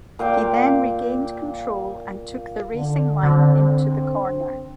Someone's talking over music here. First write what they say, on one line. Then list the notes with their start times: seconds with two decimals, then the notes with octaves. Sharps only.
He then regained control and took the racing line into the corner.
0.19 A#2 F5 G5 D6
2.74 D3
3.23 D3 C4